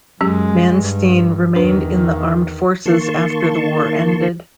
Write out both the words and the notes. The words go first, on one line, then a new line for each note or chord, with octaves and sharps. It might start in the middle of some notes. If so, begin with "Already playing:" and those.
Manstein remained in the armed forces after the war ended.
F#2 F#3 G#3 C#4 G4
G2
E2 D#3 D4 B4
D#3 A#3 A5 C6 C#6